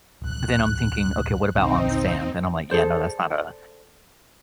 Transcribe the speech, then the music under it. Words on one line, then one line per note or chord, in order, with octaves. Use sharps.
then I'm thinking, "Okay, what about on sand?" And I'm like, yeah, no, that's not a
D1 B1 F#6
D#1 A#1 D3 C4 D#4
G#4 A4 C5 D5